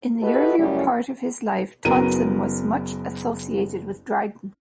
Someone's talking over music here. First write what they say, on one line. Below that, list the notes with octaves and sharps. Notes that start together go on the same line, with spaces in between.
In the earlier part of his life Tonson was much associated with Dryden.
E4 F#4 G4 A4 B4 D#5
F#2 C#3 G3 A3 C#4 E4
F#1 F#3 B3 A#4 D#7